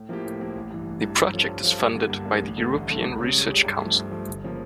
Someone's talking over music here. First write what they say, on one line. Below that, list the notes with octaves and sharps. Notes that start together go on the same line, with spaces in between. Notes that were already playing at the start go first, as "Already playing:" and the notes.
The project is funded by the European Research Council.
Already playing: A2
F3 A#3 E4 G4
A2
F3 A#3 E4 G4
A1
G2 E3
A1
G2 E3
G2
F3 C#4 F4 A4
G2
F3 C#4 F4 A4
G2
D3 G3 A#3
G2
D3 G3 A#3
A1
G2 D3 A3
A1
G2 D3 A3
C#2
C#3 G3 C#4
C#2
C#3 G3 C#4
G2
F3 A3
G2
F3 A3
G1
C#3 F3 A#3